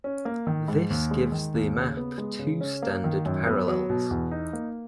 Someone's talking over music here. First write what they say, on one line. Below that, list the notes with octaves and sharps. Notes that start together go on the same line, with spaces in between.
This gives the map two standard parallels.
C#4
A#3
D#3
G#2
D#2
G#3
D#3
D#2
C#3
B3
G#3
C#3
C#4
A#3
D#3
F#2
B3
F#3
B2
E2
D#4
A#3